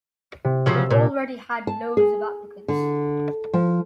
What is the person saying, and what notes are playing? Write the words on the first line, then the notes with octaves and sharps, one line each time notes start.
They've already had loads of applicants.
C3
C#3 F3 F#3 E6
A#2
A5
G#4
D3
F3